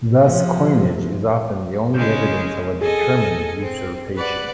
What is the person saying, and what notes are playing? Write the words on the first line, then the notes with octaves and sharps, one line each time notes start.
Thus coinage is often the only evidence of a determined usurpation.
C3 F3
C#3 G#3 G6
G#4 A4 D#5 G#5
C4
B4 D5 F#5